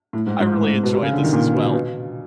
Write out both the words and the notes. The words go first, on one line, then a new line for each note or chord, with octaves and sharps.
I really enjoyed this as well.
A2
G#2
G#2
A2
G#2
B2
C3
C#3
D3
D#3
A#2
B2
B2